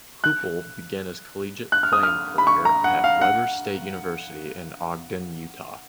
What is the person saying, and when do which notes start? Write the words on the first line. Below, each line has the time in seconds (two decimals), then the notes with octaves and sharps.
Heupel began his collegiate playing career at Weber State University in Ogden, Utah.
0.24 F#6
1.72 F#6
1.83 F6
1.93 D#6
2.03 F6
2.38 B5
2.47 C#6
2.65 A#5
2.84 F#5
3.04 F5
3.21 F#5